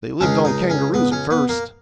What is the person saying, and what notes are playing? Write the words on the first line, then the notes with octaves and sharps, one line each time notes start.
They lived on kangaroos at first.
C#2 C#3 G#3 C#4
D#4
C#4
B3
C#4
B3
A#3